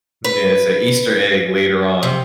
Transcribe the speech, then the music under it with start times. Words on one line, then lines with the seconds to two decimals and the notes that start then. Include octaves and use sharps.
Yeah. It's a Easter egg later on.
0.24 B4
2.03 C3